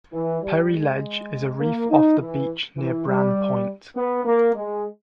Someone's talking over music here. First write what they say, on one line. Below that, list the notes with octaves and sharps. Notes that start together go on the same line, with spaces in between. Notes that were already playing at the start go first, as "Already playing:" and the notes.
Perry Ledge is a reef off the beach near Bran Point.
E3
G3
G#3
A#3
D#4
E3
E3
G3
B3
A#3
G#3